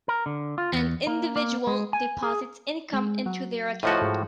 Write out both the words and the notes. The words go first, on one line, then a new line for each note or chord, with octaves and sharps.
An individual deposits income into their account.
A#4
D3
F4
E2
A#3
A#3
G#3
G#5
G#4
G#3
F#3
A2 F3 F#4 D#5
G#2